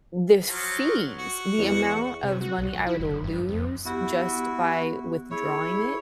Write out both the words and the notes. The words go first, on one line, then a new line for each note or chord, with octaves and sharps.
the f fees, the amount of money I would lose just by withdrawing it,
F3 F#3
F#4
E2
C3
F#4
B1
F#3
E4
F#1
G2
F2
B3 E4 F#4 G4
E4 G#4 C#5